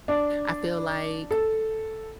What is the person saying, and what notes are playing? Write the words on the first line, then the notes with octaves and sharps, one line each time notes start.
I feel, like,
D4
A4